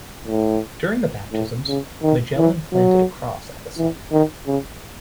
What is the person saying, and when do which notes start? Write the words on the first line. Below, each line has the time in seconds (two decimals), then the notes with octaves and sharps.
During the baptisms, Magellan planted a cross at the site.
0.27 A2
1.32 A2
1.68 C#3
2.02 D#3
2.37 E3
2.72 F#3
3.77 E3
4.12 D#3
4.47 C#3